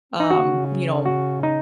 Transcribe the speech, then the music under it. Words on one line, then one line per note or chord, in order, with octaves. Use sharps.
um, you know,
D#4
C#3 F#4
F#4
D#4